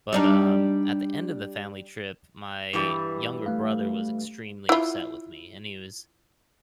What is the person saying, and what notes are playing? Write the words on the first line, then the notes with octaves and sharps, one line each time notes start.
but, um, at the end of the family trip, my younger brother was extremely upset with me, and he was
G3 D4 D#4
G2 E3 G3
A3 F5
E4 F4